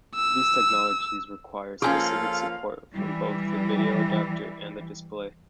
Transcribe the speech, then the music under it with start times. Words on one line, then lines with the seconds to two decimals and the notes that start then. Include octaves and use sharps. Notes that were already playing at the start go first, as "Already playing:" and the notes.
These technologies require specific support from both the video adapter and the display.
0.15 E6
1.82 F3 A#3 C#4 F4 G#4 A4 F5 G#5
2.93 E3 G3